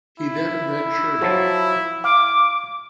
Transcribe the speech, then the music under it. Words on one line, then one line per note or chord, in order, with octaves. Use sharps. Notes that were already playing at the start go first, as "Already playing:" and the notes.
He then redshirted.
E4
F3 F#3 A5
F5 D6